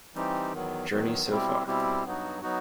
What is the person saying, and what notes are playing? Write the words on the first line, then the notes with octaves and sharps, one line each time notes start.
"Journey So Far".
E3 G3 C4 D#4 G4
E2 D#3 F#3 B3
E2 D#3 F#3 B3
B2 G3 C4 E4 G4
B2 G3 C4 E4 G4
G2 F#3 B3 D#4 F#4
F#3 B3 D#4 F#4